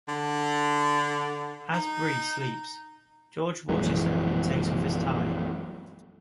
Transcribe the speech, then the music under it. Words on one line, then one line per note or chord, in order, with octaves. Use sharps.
As Bree sleeps, George watches her and takes off his tie.
D3
D#4
A#1 F#2 E3 G#3